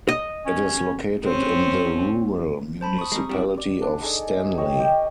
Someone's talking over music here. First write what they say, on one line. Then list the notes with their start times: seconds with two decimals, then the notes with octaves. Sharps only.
It is located in the Rural Municipality of Stanley.
0.09 D#5
0.46 C#4
1.24 C4 C#4
2.81 C5 A5 B5
2.99 C#6 D#6
3.12 G3 G#3 C4 A#5
3.29 G3 C4 D4 E4 F#4 G4
3.57 D5
3.82 D4
4.01 D#4 G#4 A4 D5
4.57 G4 C#5 D#5
4.80 G4 G5